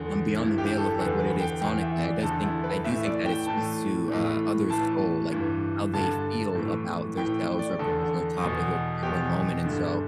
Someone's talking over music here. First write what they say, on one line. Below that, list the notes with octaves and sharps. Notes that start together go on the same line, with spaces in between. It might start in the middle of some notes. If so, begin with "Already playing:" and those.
um, beyond the veil of like what it is sonically, I does think I do think that it speaks to, uh, others' soul, like how they feel about their selves, or a particular topic, or a particular moment, and, so,
Already playing: E2 D3
G2 E3 E4
G4
A4
E2 D3 B4
B4
G5
E2 E3 G5
E5
D5
E2 D3 A4
E4
B4
A2 E3 E5
D5
G5
A2 E3 A5
A2 E3
A2 E3 A5
G2 E3
G2 D3 A5
A2 E3
A2 E3 G5
D5
E2 D3 A4
E2 B2
E2 B2 G4
G2 D3